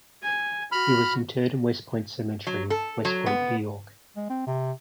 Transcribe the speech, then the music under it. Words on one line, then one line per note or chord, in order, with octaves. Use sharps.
He was interred in West Point Cemetery, West Point, New York.
G#5
F#4 B5 F6
F#3
A4
F#3
B3
G#3
C4
C3